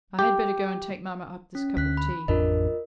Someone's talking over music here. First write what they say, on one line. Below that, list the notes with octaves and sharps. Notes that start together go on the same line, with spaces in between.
'I had better go and take mamma up this cup of tea.
G4
C#4
D2 F#6 B6
B5
A1 F2 D4 F4 A#4 D#5